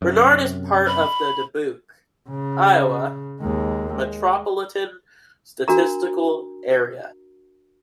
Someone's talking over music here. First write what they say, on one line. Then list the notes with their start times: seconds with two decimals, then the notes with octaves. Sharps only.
Bernard is part of the Dubuque, Iowa Metropolitan Statistical Area.
0.02 F#2 C3
0.87 B5
2.30 C#3
3.41 D#2 G#3
3.94 G#3
5.68 D4 F#4 A#4 A#5